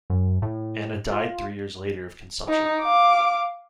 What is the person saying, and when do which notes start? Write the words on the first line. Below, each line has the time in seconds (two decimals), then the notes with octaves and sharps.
Anna died three years later of consumption.
0.10 F#2
0.42 A2
1.12 F4
2.48 D#4
2.82 F5 D6